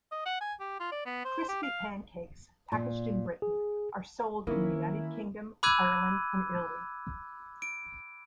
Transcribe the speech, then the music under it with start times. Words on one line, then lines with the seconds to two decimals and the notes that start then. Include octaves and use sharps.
Crispy pancakes, packaged in Britain, are sold in the United Kingdom, Ireland, and Italy.
0.12 D#5
0.26 F#5
0.41 G#5
0.60 G4
0.80 F4
0.92 D5
1.06 B3
1.25 C5
1.48 G4
1.63 F5
2.72 A#2
3.42 G#4
4.47 D#3 A#3 C#4 E4 A#4
5.63 B5 D6 E6 F#6 G#6 D#7
7.62 D7